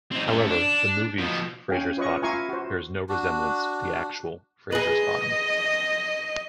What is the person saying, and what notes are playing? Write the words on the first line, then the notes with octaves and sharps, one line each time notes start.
However, the movie's Fraziers Bottom bears no resemblance to the actual Fraziers Bottom.
C4 D#4
F#2 A3
D4
B2 F3
C#4 F5 G5 G#5
F4 B4 C#5 D#5 C#6
E4 F4 F5 G#5 A#5 C#6
F#4 C5
D4 F#4
G#4 B4 D#5